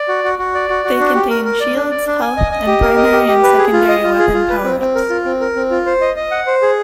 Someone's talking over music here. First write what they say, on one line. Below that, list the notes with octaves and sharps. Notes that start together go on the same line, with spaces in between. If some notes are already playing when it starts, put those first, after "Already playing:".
They contain shields, health and primary and secondary weapon power-ups.
Already playing: D5
F#4
F#4
F#4
D5
F#4
F#4
D4
G4
A#4
A#4
D5
D4
D5
D4
G#5
D#5
D#5
G4
A#4
D#5
G4
G4
B4
G#4
F4
D#5
F4
G#4
F4
B4
C4
C4
A#4
F4
C4
A#4
C4
F4
C5
D#5
D#5
F#5
C5
G#4